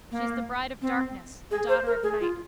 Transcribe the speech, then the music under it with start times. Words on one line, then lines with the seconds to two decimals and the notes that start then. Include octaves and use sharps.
She is the bride of darkness, a daughter of night.
0.12 A#3
0.82 C4
1.51 G#4
1.69 C5
1.86 A#4
2.03 G#4
2.21 F4